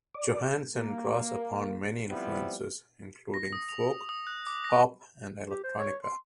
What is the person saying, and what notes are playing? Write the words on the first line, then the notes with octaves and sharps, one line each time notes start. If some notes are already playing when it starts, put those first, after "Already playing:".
Johansen draws upon many influences, including folk, pop, and electronica.
D5
A#3
F3 G3 B3 C4 E4
A#6
D#6
F7
D#6
F#6
D6
A#6
G4
C5
C#5
C6